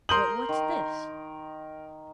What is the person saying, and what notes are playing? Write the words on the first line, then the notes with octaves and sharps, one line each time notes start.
"But what's this?"
A#4 C6 D#6 G6 F#7
D#3